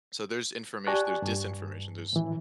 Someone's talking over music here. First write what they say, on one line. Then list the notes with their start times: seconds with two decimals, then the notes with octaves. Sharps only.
so there's information, there's disinformation, there's
0.87 G4 D5 G#5 A5 C#6 F#6
1.22 G2
2.13 A2 E3